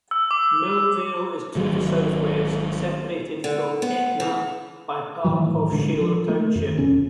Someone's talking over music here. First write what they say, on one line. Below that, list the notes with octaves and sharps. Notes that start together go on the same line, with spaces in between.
Millvale is to the southwest, separated from Etna by part of Shaler Township.
E6
D6
G#1 D#3 F#3
D3
B3
E3
A2 D#3 E3 F#3
A#1 G#2 D3
F3
A3
F#2 D#3
F1 A#1 C#3 C#4